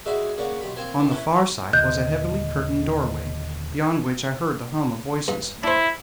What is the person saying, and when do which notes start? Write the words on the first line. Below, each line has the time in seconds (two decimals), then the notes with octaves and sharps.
On the far side was a heavily curtained doorway beyond which I heard the hum of voices.
0.06 G#3 F#4 G#4 B4 D5 E5
0.37 C#3 A#3 D5 F#5 C#6
0.61 B1 G4 B5
0.76 A#3 C4 C5 G#5
0.99 C#2 D#3 F3 A5
1.11 C#4 E4 B4
1.73 D#2 A#2 D3 D#5 F#6 G6
5.28 G2
5.64 D4 E4 C5